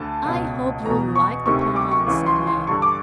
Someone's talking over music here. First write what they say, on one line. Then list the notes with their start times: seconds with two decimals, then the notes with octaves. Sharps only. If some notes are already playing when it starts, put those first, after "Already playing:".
"I hope you'll like the pond," said he.
Already playing: D2 D3 A5
0.25 C#2 B2
0.85 E2 B2 A#5
1.16 C#6
1.46 D2 C3 D#3 C#6
1.61 C#6
1.76 D6
1.91 C#6
2.07 C#2 C#3 E3 C#6
2.26 C6
2.47 C6
2.67 G2 D3 C#6
2.82 D6